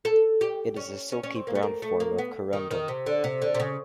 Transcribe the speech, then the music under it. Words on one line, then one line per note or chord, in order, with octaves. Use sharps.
It is a silky brown form of corundum.
A4
G4
C#4
C#4
C#4
C4
A#3
A3
A#3
A3
A#3
B3
D#3
D#3
C3
D3
C3
D3
C3
C#3